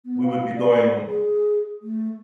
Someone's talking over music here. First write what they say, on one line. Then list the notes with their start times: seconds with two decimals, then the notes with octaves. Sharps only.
we would be going
0.05 B3
0.23 F5
0.56 D5
1.06 G#4
1.82 A3